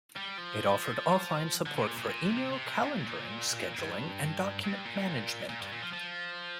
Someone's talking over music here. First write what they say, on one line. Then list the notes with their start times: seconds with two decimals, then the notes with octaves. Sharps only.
It offered offline support for email, calendaring, scheduling, and document management.
0.17 G3
0.38 F3
1.66 D3
1.76 D3
1.87 A#2
1.98 A#2
2.09 A#2
2.30 C3
2.51 C3
2.83 C3
2.94 A#2
3.79 G2
4.64 G2
4.86 A#2
5.49 A#2
5.61 G2
5.72 A#2
5.82 F3
5.93 F3